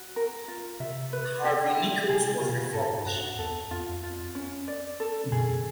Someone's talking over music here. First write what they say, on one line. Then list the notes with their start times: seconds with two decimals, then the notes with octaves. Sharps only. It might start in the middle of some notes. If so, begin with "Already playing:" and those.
Harvey Nichols was refurbished.
Already playing: F#4
0.16 A#4
0.48 F4
0.80 C3 E5
1.13 B4
1.44 G4
1.77 E4
2.09 C3 G#4
2.41 C3 F4
2.49 B2
2.55 C3
2.73 G#2 A4
2.98 G#2
3.06 G2 F#4
3.39 E2 A4
3.71 F2 F4
4.03 F4
4.35 C#4
4.68 D5
5.00 A4
5.32 F#2 G#4